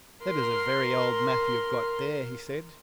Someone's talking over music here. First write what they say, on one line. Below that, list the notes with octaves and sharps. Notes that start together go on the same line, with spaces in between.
"That is a very old map you have got there," he said.
A#4 C6